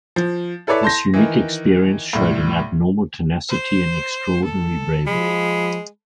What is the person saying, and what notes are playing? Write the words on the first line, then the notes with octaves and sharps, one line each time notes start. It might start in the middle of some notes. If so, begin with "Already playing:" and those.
This unique experience showed an abnormal tenacity and extraordinary bravery.
F3
E4 A4 B4 C#5 D5 E5
A5 C6 G6 A#6
D#3 E3
C2 A2
C5
A4
F3 G#3 B5